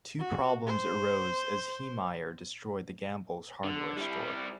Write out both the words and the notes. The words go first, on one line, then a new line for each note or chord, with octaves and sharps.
Two problems arose as Heemeyer destroyed the Gambles hardware store.
F#4
C5
D3
G3 E4